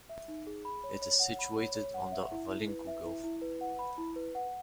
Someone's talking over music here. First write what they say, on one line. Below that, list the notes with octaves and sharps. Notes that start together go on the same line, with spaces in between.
It is situated on the Valinco Gulf.
E5
D#4
G#4
B5
C#5
C#5
F#5
B5
C#5
C#5
F#5
E5
E4
E4
B4
E5
E4
E4
B4
F#5
B5
E4
B4
F#5